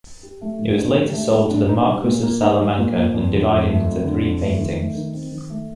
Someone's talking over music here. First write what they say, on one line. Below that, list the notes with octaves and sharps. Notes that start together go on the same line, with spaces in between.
It was later sold to the Marquis of Salamanca, and divided into three paintings.
G4
A3
A2
D4
G4
A3
A2
D4
D#4
G3
A#2
A#3
D#4
G3
A#2
A#3
F2
D3
F2
A3
F2
D3
F2
A3
D#3
A3
D#3
C4
D#3
A3